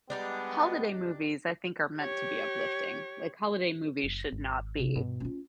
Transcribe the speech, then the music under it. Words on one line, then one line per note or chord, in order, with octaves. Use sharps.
holiday movies, I think, are meant to be uplifting. Like, holiday movies should not be
G3 G#3 B3 D4 D#4 G4
G4 C#5
F#1
G#1
C3
G2 B2
C#4 F4